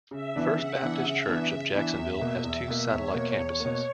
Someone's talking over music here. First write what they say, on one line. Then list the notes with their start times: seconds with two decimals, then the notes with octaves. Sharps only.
First Baptist Church of Jacksonville has two satellite campuses.
0.11 C#3 E5
0.36 E3 B3 D4
0.58 C#3 F#5
0.82 E3 B3 D4
1.04 C#3 E5
1.28 E3 B3 D4
1.51 C#3 E5
1.75 E3 B3 D4
1.98 E2
2.21 B2 A#3
2.44 E2 E5
2.68 B2 A#3
2.90 E2 C#5
3.13 B2 A#3
3.37 E2 C#5
3.60 B2 A#3